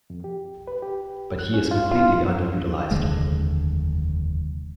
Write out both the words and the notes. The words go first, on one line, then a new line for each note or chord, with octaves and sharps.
But he is completely under-utilised.
F2
G4
B4
G4
F#6
C#4
F4
F4
F1 D#2 D3 G#3